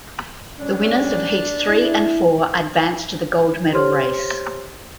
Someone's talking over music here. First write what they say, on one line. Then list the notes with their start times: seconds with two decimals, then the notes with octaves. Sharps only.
The winners of heats three and four advanced to the gold medal race.
0.60 G3 C#4 D4
1.68 E4
3.73 G4 C5 C#5 C6 F6